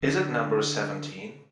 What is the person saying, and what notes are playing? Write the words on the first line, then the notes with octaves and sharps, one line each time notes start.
Is it number seventeen?
D3